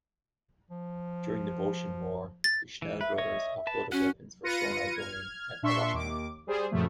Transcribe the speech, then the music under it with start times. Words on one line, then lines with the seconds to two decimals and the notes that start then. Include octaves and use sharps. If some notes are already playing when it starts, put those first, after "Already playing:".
During the Boshin War, the Schnell brothers offloaded weapons for Shonai Domain at Awashima.
0.71 F3
2.44 A6
2.82 E3
3.01 B4 E5
3.18 C#5 D#5 C#6
3.67 B4 A5
3.92 C#4 F#4 C#5 F#5
4.43 F4 B4 A#6 C#7 D#7
4.95 F6 G#6
5.62 A#2 D4 E5 C6 C#6
5.93 D#2 D6
6.47 G3 G#4 C5
6.71 F#2 A#2 C#3 F3 A3